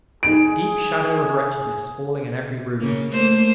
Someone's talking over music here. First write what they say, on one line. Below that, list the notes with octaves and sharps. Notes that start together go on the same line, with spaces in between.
Deep shadow of wretchedness falling in every room.
D#4 G#4 D7
C#3 A#3
A3 A#3 C5